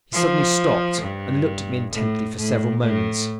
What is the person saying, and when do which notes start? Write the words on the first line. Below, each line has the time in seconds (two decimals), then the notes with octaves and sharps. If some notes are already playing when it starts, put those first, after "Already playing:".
He suddenly stopped and looked at me intently for several moments.
0.13 F3
1.02 G2
1.92 A2
2.37 A2
2.82 A2